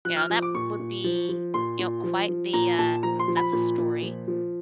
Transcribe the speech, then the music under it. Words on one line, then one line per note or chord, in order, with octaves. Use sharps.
You know, that would be, you know, quite the, uh, m "That's a story.
F3 F#6
F6
F3
D6
A#2 C#6
A#2
F3
F3
A#2 C6
A#2
F3
F3
A#2 A#5
A#2 A5
F3 A#5
C6
F3
B5
A#2
A#2
F3
F3